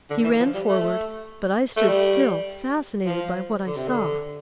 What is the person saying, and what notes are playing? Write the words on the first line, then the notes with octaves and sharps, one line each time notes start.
He ran forward, but I stood still, fascinated by what I saw.
D3
E3
F3
G3
A3
A3
G3
F3
D3
C3
D3